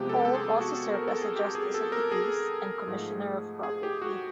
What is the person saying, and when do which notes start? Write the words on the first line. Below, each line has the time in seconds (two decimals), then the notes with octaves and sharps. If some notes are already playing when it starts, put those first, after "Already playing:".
Holme also served as a justice of the peace and commissioner of property.
Already playing: C3 F3 G#3 B3 G4
0.09 A4
0.25 A4
0.34 G#4
0.61 F#4
0.94 A#4
1.08 A4
1.22 G#4
1.36 G4
1.55 G#4
1.74 A4
1.92 A#4
2.12 G#4
2.87 G#2 F3 A3
3.63 G#4
3.83 G4
4.02 F#4